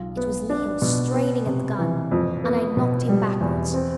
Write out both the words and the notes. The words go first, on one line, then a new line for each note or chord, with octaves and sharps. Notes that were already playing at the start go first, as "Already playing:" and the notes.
It was Leo straining at the gun, and I knocked him backwards.
Already playing: B1 F4
B3
D4
B2
B3
C3
E3
F2
B3
B2
G3
E2
C4